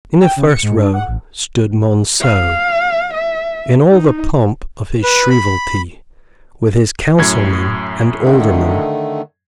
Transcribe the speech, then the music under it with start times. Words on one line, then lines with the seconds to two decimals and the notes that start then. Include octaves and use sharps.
In the first row stood Monceux, in all the pomp of his shrievalty, with his councilmen and aldermen.
0.21 G5
0.36 C#3
0.49 C#7
0.62 G#2
0.77 D4
0.93 F#5
1.07 A1
2.21 F5
3.14 E5
3.91 D#4
5.04 B4
5.30 B5
7.18 F#2 A2 G#6
8.23 D3 D#3 A3